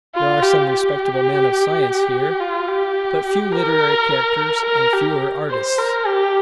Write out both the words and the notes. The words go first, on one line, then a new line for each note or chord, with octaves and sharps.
There are some respectable men of science here, but few literary characters, and fewer artists.
F4
G4
G4
F4
G4
A#4
A#4
G4
C5
A#4
G4